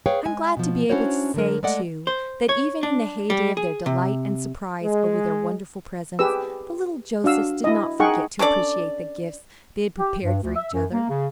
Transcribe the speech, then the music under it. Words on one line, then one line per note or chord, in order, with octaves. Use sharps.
I'm glad to be able to say, too, that even in the heyday of their delight and surprise over their wonderful presents, the little Josephs did not forget to appreciate the gifts they had prepared for each other.
G#4 B4 C#5 F5 G5
G#3 G#5
B2 F3
C#4 D4 E4 F#4 C5 C#5
D3 F#3 A#4
G#3 A3 A4 D5 D#5 F#5
C5
C#5
D4
G3
G#4
C3
G#3
G4 G#4 B4 E6
D4 F#4 F5 E6
E4 D#5
D#4 G#4 F#5 G5 C#6
C#4 D4 A4 D5
G4
G2
D2
E5
F#2
A#3
C#3